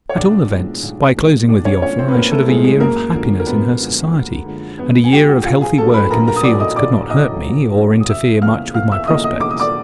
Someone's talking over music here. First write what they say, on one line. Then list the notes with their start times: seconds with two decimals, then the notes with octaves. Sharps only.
At all events, by closing with the offer I should have a year of happiness in her society, and a year of healthy work in the fields could not hurt me, or interfere much with my prospects.
0.09 C#5
0.17 B1 D4 D5
0.49 A2 F3 G#3 B3
0.83 B1
1.16 A2 F3 G#3 B3
1.48 B1 D4 D5
1.65 C#4 C#5
1.82 A2 F3 G#3 B3 C#4 C#5
1.98 C4 C5
2.08 B4
2.14 B1 A#3 A#4
2.31 A3 A4
2.48 A2 F3 G#3 B3 G#4
2.64 G#3 G#4
2.80 F#2 A#3 A#4
3.13 D3 F3 G#3
3.40 A#4
3.47 F#2 B3 B4
3.80 D3 F3 G#3
4.13 F#2
4.46 D3 F3 G#3
4.78 F#2 B3 B4
5.04 G#5
5.12 D3 F3 G#3 G4 G5
5.28 F#4 F#5
5.44 A#1 F4 F5
5.61 G#4 G#5
5.78 A2 F#3 A3 C#4 A4 A5
5.94 B4 B5
6.10 A#1 A#4 A#5
6.27 A#4 A#5
6.36 D#6
6.43 A2 F#3 A3 C#4 D5 D6
6.60 D#5 D#6
6.76 A#1 D5 D6
7.10 A2 F#3 A3 C#4 D#5 D#6
7.43 A#1
7.75 A2 F#3 A3 C#4
8.00 D#6
8.09 E1 E5 E6
8.42 E2 C#3 F3 A#3 F5 F6
8.74 E1 F5 F6
8.91 E5 E6
9.07 E2 C#3 F3 A#3 D#5 D#6
9.24 D#5 D#6
9.40 E1 D6
9.51 D#6
9.60 D5 D6